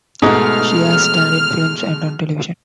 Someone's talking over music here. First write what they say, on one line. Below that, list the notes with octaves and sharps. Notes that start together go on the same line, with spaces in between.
She has starred in films and on television.
G#2 B2 G#3 A3 F6